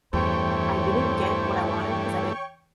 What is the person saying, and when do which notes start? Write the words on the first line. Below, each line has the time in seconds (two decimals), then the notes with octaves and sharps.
I didn't get what I wanted 'cause I didn't
0.13 E2 G2 E3 A3 C5 C#5 G5 C#6